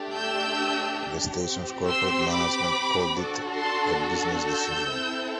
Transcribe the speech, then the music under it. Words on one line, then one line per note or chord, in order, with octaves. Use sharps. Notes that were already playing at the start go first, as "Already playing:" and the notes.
The station's corporate management called it a business decision.
Already playing: A3 D4 G4
E6 G6
C4 G4
C6 E6
B5 D6
D4 F#4 A4
A5 C6
E6 G6
C4 E4 A4